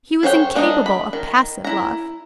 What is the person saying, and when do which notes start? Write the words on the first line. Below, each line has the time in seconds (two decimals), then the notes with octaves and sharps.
He was incapable of passive love.
0.23 G#4 C5 C#5 G5
0.55 G3 D4 D#4 D#5
0.86 B5
1.13 D#3
1.64 E4 A#5